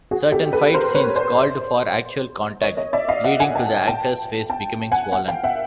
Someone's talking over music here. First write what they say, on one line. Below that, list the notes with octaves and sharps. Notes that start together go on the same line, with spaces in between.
Certain fight scenes called for actual contact, leading to the actor's face becoming swollen.
F#4 G#4
G4 A4
A4 B4
A#4 C5
B4 C#5
C5 D5
C#5 D#5
C#5 D#5
D5 E5
D#5 F5
E5 F#5
F#5 G#5
G5 A5
G5 A5
G5 A5
F#5 G#5
F#5 G#5
F5 G5
E5 F#5